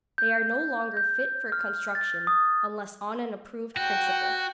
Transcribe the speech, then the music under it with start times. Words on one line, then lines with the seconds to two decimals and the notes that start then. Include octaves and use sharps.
They are no longer fit for construction unless on an approved principle.
0.18 G6
0.97 G6
1.52 F6
1.95 A6
2.27 D#6
3.77 F#4 G5